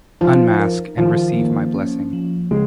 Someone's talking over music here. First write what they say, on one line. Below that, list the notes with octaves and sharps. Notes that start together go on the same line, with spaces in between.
Unmask, and receive my blessing.
F3 D#4
A#4
D#3 F3
A#3
C#4
F3
C#3 G#3